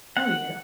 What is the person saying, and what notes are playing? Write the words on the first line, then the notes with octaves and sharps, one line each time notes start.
Oh, yeah.
F#5